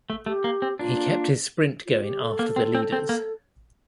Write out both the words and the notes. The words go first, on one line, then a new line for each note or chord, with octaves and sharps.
He kept his sprint going after the leaders.
A3
A3 G4
A#3
C4
A#3 D4 F4
F4
G4
A4
A#3
C4
C4
C4
A#3